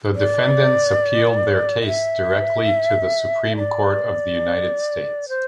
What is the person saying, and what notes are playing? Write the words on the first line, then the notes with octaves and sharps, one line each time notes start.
The defendants appealed their case directly to the Supreme Court of the United States.
D5
D5
E5
D5
C5